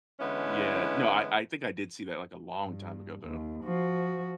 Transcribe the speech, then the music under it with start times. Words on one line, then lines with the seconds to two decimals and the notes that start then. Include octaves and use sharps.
Yeah. No, I I think I did see that, like, a long time ago, though.
0.20 D3 E3 G#3 B3 C#4 E4
2.64 G2
3.23 D#2
3.64 F3 F#4